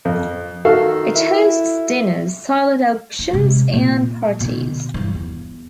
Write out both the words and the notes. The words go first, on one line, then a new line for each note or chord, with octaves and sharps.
It hosts dinners, silent auctions and parties.
F2
D#3 F#4 A4 F5
E4
D#4
C3 G#3
A#2
B2 D3
G2 E3
E2